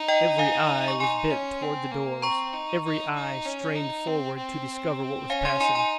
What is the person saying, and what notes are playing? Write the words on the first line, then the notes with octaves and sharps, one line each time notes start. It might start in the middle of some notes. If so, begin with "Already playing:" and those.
Every eye was bent toward the doors--every eye strained forward to discover what was passing.
Already playing: D#4
D#5 G5
F5 G#5
C#6
D#4 G#5 C6
C#4
C4
A#3
C4 A#5 C#6
D#4
D#4
D#4
C#4
D#4
C4
C4
C#4 F5 G#5
G#5 C6
D#4 G#5 C6
G#5 C6